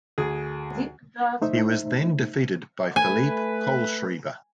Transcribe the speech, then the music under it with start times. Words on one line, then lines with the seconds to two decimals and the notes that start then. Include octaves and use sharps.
He was then defeated by Philipp Kohlschreiber.
0.18 D2 G#4
1.42 A3 D#4 C5 E5
2.96 A3 B4 G#5